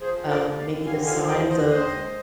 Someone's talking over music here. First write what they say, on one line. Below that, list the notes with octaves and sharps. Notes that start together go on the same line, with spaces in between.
Um, maybe the signs of
F3 G#4 C5
D3
A#4 D5
D#2
D5 F5
D#2
D3 F5 G#5
F3 F5 G#5
D#2 D#5 G5
D#2 C5 D#5
D#2 C5 D#5
G#3